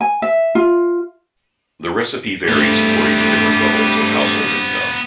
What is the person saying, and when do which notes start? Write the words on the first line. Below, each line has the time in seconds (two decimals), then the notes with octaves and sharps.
The recipe varies according to different levels of household income.
0.01 G#5
0.22 E5
0.55 F4
2.48 G2 A3 B3 C4 F4 G4 D6